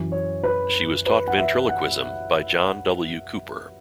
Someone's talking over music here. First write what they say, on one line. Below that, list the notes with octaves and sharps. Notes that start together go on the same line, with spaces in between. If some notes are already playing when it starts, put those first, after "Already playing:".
She was taught ventriloquism by John W. Cooper.
Already playing: F#2 E3
C#5
B4
B4
F#5
E5
F#5